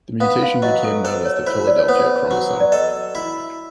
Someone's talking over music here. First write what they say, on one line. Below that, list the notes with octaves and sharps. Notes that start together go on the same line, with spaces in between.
The mutation became known as the Philadelphia chromosome.
B3 F5
F5
F#3 D#5
A4
A4 C5
C#5
E4 C5
D5
C#5
B3 C5
C#5
F#3
D5
A4 D#5
E4